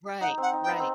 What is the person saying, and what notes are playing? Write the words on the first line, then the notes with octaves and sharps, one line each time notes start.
Right, right.
D#4 F#5
C4 F#5
D#4
G5
B3
C4